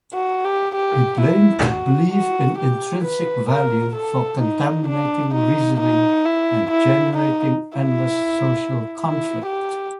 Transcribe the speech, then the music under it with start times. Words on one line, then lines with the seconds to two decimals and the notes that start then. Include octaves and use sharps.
He blamed belief in intrinsic value for contaminating reasoning and generating endless social conflict.
0.14 F#4
0.44 G4
0.75 G4
1.21 E4
1.67 F#4
2.13 F#4
2.58 G4
3.04 B4
3.50 A#4
3.96 A4
4.42 D#4
4.88 D4
5.34 D#4
5.80 D#4
6.25 E4
6.71 E4
7.17 D#4
7.78 E4
9.00 E4
9.46 G4